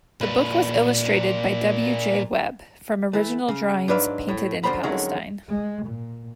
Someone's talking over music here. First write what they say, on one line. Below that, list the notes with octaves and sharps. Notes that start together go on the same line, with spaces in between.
The book was illustrated by W. J. Webb, from original drawings painted in Palestine.
A#2 B4
E3 A3
C#3
G#2 F#3 D4 B4 E5 F5
A2
F#2 D3 C5 A#5 B5
F2 D3 D#3 F#3 G#3 C#4
G#3
A#2